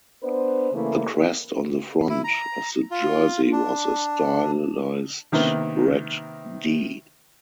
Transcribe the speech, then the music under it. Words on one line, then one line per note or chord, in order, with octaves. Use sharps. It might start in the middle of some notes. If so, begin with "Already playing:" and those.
The crest on the front of the jersey was a stylized red "D".
B3 D4 B4 C5
C#3 E3 A3 A#3 E4
E4
A#5
F4
D4
C3 D#3 A#3 B3